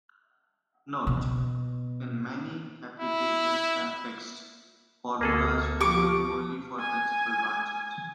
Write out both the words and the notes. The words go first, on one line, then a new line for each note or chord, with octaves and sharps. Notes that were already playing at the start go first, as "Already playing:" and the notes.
Note: In many applications and texts, formulas hold only for principal branches.
B2
E4
D2 A#3 G#4 A4
F3 G4 C#6 D6
G#5